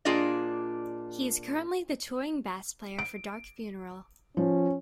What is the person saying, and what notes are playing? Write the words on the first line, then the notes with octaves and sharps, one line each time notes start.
He is currently the touring bass player for Dark Funeral.
A#2 D4 F4 G#4 D5 D#5
D7
F3 C#4